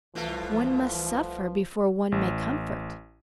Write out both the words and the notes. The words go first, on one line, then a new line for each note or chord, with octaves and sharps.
One must suffer before one may comfort.
C2 B2 E3 F3 A3 F4 B4
A1